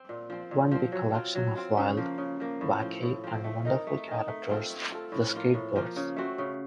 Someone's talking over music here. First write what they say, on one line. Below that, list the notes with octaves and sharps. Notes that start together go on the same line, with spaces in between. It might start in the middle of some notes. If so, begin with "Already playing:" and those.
One big collection of wild, wacky and wonderful characters...The Skatebirds!
Already playing: C4
A#2
F3 C4
A#2
F3 C4
F#3
C4 F4
F#3
C4 F4
C#3
F3 A#3
C#3
F3 A#3
A2
F3 C4
A2
F3 C4
A3
D#4 A#4
A3
D#4 A#4
A3
C4 F4 A4
A3
C4 F4 A4
A2
F3 A#3 F4
A2
F3 A#3 F4
C#3
A3 C4 F#4
C#3